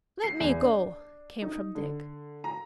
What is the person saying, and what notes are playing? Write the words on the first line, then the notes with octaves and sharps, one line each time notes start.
"Let me go!" came from Dick.
C7
E2
D4
D#4
D3
A#5